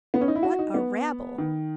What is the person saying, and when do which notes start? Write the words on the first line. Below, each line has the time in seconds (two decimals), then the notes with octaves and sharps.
What a rabble!
0.14 B3
0.21 C#4
0.28 D#4
0.35 E4
0.43 F#4
0.59 D#4
0.74 B3
1.38 D#3